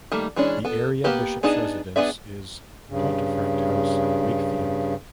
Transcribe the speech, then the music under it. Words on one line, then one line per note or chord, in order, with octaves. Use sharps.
The area bishop's residence is Pontefract House, Wakefield.
D#3 G3 A3 A#3
E3 G#3 C#4 D4
B3 A4
A#3 B3 G4 B4
B3 D4 D#4 G#4 A5
B3 D4 G#4 D5 E5
G2 C#3